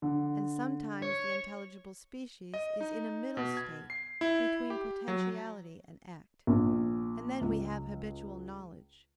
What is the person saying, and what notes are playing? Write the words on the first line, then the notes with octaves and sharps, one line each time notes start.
And sometimes the intelligible species is in a middle state, between potentiality and act: and then we have habitual knowledge.
D3
C#5
D#5
D#4
B2
G#6
C7
E4
G4
F#3
A#1
C#2